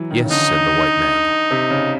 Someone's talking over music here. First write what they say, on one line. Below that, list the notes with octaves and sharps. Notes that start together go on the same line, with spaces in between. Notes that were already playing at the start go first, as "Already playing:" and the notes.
"Yes," said the white man.
Already playing: E3 F#3
D#3
C#3
D3 D#4
C3
C#3